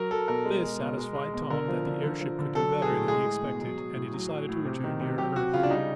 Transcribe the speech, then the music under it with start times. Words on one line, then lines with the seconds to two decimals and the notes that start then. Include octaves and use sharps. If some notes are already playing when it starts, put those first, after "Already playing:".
This satisfied Tom that the airship could do better than he expected, and he decided to return nearer earth.
Already playing: F#3 A#4
0.11 F#3 A4
0.28 B2 A#4
0.45 G#3
0.63 G#3
0.80 B2
0.98 G#3
1.15 G#3
1.33 B2
1.50 D3 A#4
1.68 F3
1.86 D3
2.03 D3
2.21 F3
2.39 D3
2.55 F#3 A4
2.73 F#3
2.82 G#4
2.91 A2
3.08 G#3 G#4
3.26 G#3
3.43 B2
3.61 F#3
3.78 F#3
3.95 A2
4.14 F#3
4.30 F#3
4.49 A2
4.65 C3
4.84 D#3
5.01 C3
5.18 F#3 G4
5.36 F#3 F#4
5.54 C#3 F4
5.63 D4
5.70 G3 D#4